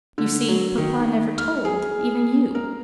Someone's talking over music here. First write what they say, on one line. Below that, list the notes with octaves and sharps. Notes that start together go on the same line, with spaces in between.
You see, papa never told, even you.
D3
F#3
D#3
F6
G#4
A#4